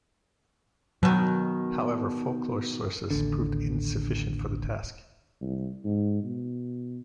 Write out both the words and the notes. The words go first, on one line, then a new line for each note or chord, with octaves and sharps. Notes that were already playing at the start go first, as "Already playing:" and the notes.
However folklore sources proved insufficient for the task.
B2 D#3 F#3
A1 D#2 D3
C2
G#2
B2